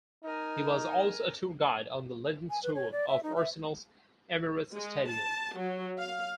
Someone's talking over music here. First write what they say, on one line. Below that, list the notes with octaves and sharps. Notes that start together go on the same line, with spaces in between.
He was also a tour guide on the "Legend's Tour" of Arsenal's Emirates Stadium.
D#4 A#4 G#5
G#5
B4
C#5
D5
E5
D#4
E5
G#3
A5
F#3
F5